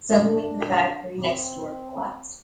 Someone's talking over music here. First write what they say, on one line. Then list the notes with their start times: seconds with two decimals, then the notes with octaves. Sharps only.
Suddenly the factory next door collapsed.
0.16 D4
1.21 C4